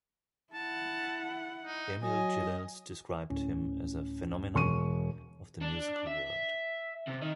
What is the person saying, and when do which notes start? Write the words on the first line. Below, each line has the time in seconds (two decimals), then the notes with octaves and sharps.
Emil Gilels described him as a "phenomenon of the musical world".
0.54 E4 F#5 A5
1.64 D#4
2.03 F#3 D#5 G#5
3.30 D2 A2 C#4
4.55 E1 C#6 D#7
5.61 D4
6.07 E5
7.07 C3
7.22 D#3 D#5